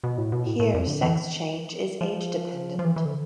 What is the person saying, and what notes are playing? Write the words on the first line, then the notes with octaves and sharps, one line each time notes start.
Here sex change is age-dependent.
B2
A2
B2
A2
A2
F2
D3
E3
F3
F3
E3
E3
D3